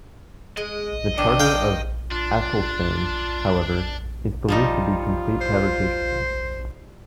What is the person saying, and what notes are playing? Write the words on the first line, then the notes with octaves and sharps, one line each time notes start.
The Charter of Athelstan, however, is believed to be complete fabrication.
G#3 D#5
D#3 D4
F5 G5
D4 F4
F3 G3 D#4 F4
C5